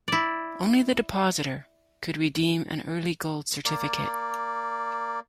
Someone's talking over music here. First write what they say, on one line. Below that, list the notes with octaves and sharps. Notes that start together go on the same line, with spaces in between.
Only the depositor could redeem an early gold certificate.
E4 D5
A#3 D5